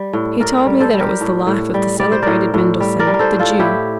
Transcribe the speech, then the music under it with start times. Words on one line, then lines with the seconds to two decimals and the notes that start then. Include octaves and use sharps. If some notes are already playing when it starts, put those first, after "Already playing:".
He told me that it was the Life of the celebrated Mendelssohn, the Jew.
Already playing: G3
0.13 A2
0.40 A2 A#4 D5
0.67 G3
0.80 A4 C5
0.94 G3
1.00 G4 A#4
1.21 A2
1.47 A2
1.74 G3
2.00 G3 D5
2.12 C5
2.22 A2 A#4 D5
2.54 A2
2.80 G3
2.99 A#4 D5
3.07 G3
3.14 A#4
3.19 A4 C5
3.33 A2
3.39 F4 A4
3.59 A2 E4 G4